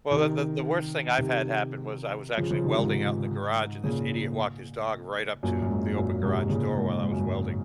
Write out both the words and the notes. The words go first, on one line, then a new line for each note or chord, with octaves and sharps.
Well, that that the worst thing I've had happen was I was actually welding out in the garage and this idiot walked his dog right up to the open garage door while I was welding,
C3 D#3
C3 D#3
C#3 F3
C#3 F3
C3 D#3
G#2
A#2 C#3
F#2 A#2
F#2
G#2
F#2 A#2
G#2 C3
A#2 C#3
G#2
G#2
F#2
G#2